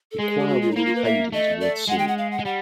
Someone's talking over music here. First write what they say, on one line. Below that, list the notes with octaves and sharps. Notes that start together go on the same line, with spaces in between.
The choir wall paintings are worth seeing.
A4
G#3 G#4
G#4
G4
F#4
F4
D#4
A#3 E4
F4
B4
E5
A3 D#5
D5
G#3 F#5
G5
F#5
F5
F#5
G#3
G3 F#5